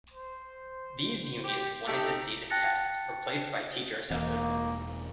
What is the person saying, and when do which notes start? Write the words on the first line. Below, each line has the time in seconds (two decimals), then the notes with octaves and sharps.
These unions wanted to see the tests replaced by teacher assessment.
0.14 C5
1.45 G4
1.87 A3 D#4 G4
2.50 G5 A5 F#6 A6 A#6 C#7
4.11 E1 E3 A#3 C4